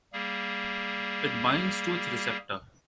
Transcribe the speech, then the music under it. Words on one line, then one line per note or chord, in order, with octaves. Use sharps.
It binds to its receptor.
G3 A#3 G#4